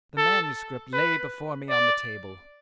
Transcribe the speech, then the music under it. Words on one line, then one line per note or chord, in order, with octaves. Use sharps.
The manuscript lay before me on the table.
A4
B4
D5